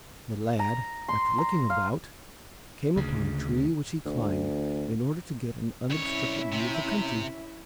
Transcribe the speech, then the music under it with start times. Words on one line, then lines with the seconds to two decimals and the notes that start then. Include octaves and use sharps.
The lad, after looking about, came upon a tree which he climbed in order to get an unobstructed view of the country.
0.59 A#5
1.08 C6
1.38 A#5
1.70 F5
2.97 D2 C#3
4.05 D2
5.90 C2 C#4 E4 C#5 E5
6.52 C3